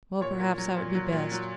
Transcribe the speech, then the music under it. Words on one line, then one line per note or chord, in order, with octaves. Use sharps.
Well, perhaps that would be best.
A#2 C#5
A#2
F#3
A#2
F#3
A#2
F#3